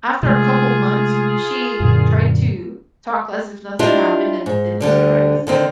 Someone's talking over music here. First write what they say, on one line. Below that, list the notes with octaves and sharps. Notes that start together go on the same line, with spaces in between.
after a couple months, she tried to talk as if nothing happened and didn't sit right with me.
C3 G#3 A3 F4 G#4
F#2 A#2 D3
D4 E4 F4 G4 D#5
G#2
D2 D3 G3
D3 D#3 C4